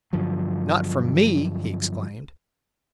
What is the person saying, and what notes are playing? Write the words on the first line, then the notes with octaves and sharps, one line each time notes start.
"Not from me!" he exclaimed.
G2 D3 F3 F#3